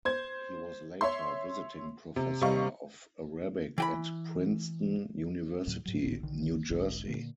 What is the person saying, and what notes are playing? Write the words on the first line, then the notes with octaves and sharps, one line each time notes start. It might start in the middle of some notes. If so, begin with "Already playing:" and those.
He was later Visiting Professor of Arabic at Princeton University, New Jersey.
C5 G#6
C#5 E5 C6
C3
C3 G3 D#5 F5 C#6
E3 G5 B5
D2 A2 F#3
G#2 F#3
D#1 A1 A#2 D#3
A#1 D3 D#3
E1 B1 G#2 D3
A#2 D3 A#3